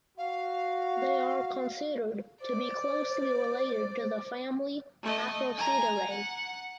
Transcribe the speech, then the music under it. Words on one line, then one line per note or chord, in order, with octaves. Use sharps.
They are considered to be closely related to the family Acroceridae.
F#4 F5
C5 D5
A3 D#5
G#5 A#5
F#5